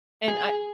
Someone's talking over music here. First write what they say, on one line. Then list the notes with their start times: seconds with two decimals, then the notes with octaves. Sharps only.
And I
0.28 G#4